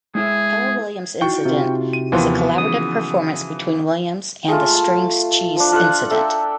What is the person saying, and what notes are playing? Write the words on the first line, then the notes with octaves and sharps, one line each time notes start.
"Keller Williams Incident" is a collaborative performance between Williams and The String Cheese Incident.
G#3 E4 G#4 E5
D#4 E4 F#4 G5 C#6 G7
C3 F4
D#7
D#2 E3 F3 B3 C6
C#3 D#6
G#3 A3 F4
A5
F3 D4
F4 A4 F#5
A4 E5 G5 A#5